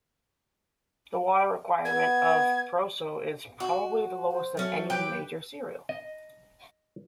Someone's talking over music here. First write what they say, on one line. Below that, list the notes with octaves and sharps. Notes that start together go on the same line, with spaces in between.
The water requirement of proso is probably the lowest of any major cereal.
B3 G#6
F#4
C5
F#3 A3 C#4
G4 B4 G5
D#5